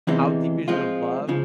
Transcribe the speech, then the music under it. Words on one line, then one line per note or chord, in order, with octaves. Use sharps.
"How Deep Is Your Love?"
E2 C3 E3 G#3
F3 G#3 C4 F4
C#3 F3